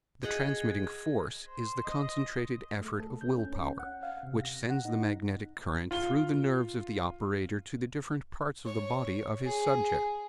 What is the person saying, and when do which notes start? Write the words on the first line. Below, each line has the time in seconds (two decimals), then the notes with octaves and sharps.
The transmitting force is the concentrated effort of will-power, which sends the magnetic current through the nerves of the operator to the different parts of the body of his subject.
0.23 G#4 D#5 F#5 G#6
1.47 C5
1.86 D#5
2.81 A3
3.00 A4
3.21 G6
3.37 C#4
3.53 C#4
3.79 F#5
4.03 F5
4.23 C3
4.44 A#6
4.70 F#5
4.85 D#4
5.91 F4 G7
8.65 C#5
9.44 G#4